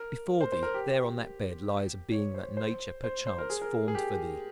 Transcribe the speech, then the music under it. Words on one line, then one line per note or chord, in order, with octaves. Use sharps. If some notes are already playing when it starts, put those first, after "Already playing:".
Before thee, there on that bed, lies a being that nature, perchance, formed for thee.
Already playing: A#4
C5
C5
A#4
G4
C#5
C5
C5
C5
C5
A#4
G#4
A#4
G#4
G4